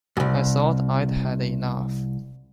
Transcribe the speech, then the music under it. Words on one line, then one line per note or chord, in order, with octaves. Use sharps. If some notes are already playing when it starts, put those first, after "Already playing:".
I thought I'd had enough.
C2 F#2